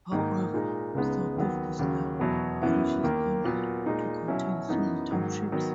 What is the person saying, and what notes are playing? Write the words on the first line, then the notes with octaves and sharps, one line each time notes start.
However, south of this line, parishes tended to contain single townships.
G#2 D#3 A#3 D#4
A#2 G#3 D#4
C#2 C#3 G#3 B3 D#4
D#2 D#3 F#3 B3
D#2 C#3 F#3
E2 B2 F#3 B3 E4
F#2 E3 B3 E4
D#2 D#3 A#3
A#2 F#3 B3
A#2 G#3 D#4
B2 F#3 C#4 E4
F#2 E3 B3 D#4
G#2 D#3 F#3
D#3 F#3 B3